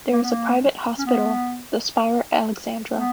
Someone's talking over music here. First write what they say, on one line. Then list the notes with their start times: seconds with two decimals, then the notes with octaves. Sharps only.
There is a private hospital, the Spire Alexandra.
0.12 A#3
0.23 B3
0.32 A#3
0.99 C#4
1.06 B3
2.93 B3